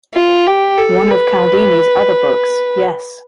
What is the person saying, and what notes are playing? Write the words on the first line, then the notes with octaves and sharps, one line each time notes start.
One of Cialdini's other books, Yes!
F4
G4
A4
B4